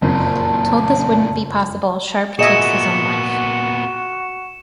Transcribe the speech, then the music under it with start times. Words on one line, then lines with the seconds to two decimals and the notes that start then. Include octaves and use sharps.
Told this wouldn't be possible, Sharpe takes his own life.
0.02 F#1 F2 A#2 C#3 A5
2.39 A#2 B3 F#4 G#4 D#5 E5 C#7 E7